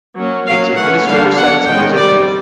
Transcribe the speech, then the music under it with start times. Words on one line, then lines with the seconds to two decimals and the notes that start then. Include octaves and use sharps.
Its administrative centre was Izmail.
0.16 F#3 A#3 C#4
0.46 F#3 A#3 C#4 F5
0.76 E3 A3 C#4 F#5
1.06 D3 G3 A#3 D4 F5
1.36 F#3 B3 D4 F#5
1.66 D#3 G#3 C#4 G5
1.96 G3 C4 D5